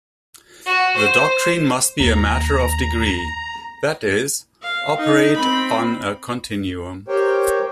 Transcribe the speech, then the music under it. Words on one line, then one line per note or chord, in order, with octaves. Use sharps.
The doctrine must be a matter of degree-that is, operate on a continuum.
F#4
C5
D#2 A#5
F5
D#4
C4 B5
G4 A#4 C5 C#5 G5